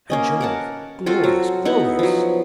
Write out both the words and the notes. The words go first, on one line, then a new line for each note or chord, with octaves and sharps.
By Jove! glowious! glowious!
A#3 C#4 D#5
A#4 F#5 A5
C4 F4 F#4 A4
F#3
B3 D#4 E4 F#5
F3 F#3